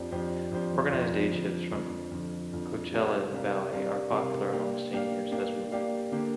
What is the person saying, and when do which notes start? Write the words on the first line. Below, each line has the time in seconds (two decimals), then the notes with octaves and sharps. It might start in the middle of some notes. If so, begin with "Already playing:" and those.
Organized day trips from the Coachella Valley are popular among seniors as well.
Already playing: F2 F3 D4 G4 C5
0.12 F2 F3 D4 G4 C5
0.52 F2 F3 D4 G4 C5
0.92 F2 F3 D4 G4 C5
1.32 F2 D3 F3
1.72 F2 D3 F3
2.11 F2 D3 F3
2.52 F2 D3 F3
2.91 C3 G3 D4 A#4 F5
3.32 C3 G3 D4 A#4 F5
3.72 C3 G3 D4 A#4 F5
4.12 C3 G3 D4 A#4 F5
4.52 A#3 D4 G4 D5 F5
4.92 A#3 D4 G4 D5 F5
5.31 A#3 D4 G4 D5 F5
5.72 A#3 D4 G4 D5 F5
6.12 D3 A#3 G4